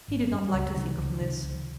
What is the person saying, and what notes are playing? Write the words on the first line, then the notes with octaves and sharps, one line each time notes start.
He did not like to think of Mliss.
G#1
G2 G3
C#2
C3 D#3
C#2
C3 D#3
C#2